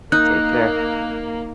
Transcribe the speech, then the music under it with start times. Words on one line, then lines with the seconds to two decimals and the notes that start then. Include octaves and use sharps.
Take care.
0.12 A#3 D#4 F#6